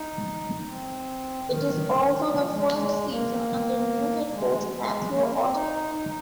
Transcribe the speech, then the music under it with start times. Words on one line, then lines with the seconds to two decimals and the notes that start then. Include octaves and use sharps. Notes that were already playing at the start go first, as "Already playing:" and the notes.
It is also the first season under new head coach Matthew Otten.
Already playing: D#4
0.67 C4
1.47 D#3
2.29 F3
2.49 G#3
2.69 G#3
3.10 A#3
4.32 G#3
4.73 G#3
5.13 A#3
5.33 C4
5.54 D#4
5.94 D#4